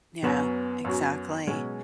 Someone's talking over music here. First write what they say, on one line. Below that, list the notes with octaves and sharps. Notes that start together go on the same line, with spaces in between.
Yeah, exactly.
F#2 F#3 B3 C#4 F#4
F#2 F#3 C#4 F#4
B2 F#3 G#3 C#4